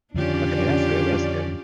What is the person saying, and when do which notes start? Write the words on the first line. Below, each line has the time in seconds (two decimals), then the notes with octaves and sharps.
Okay. That's good, that's good.
0.14 F2 D3 D#3 C#4 D4 F4 G4 D5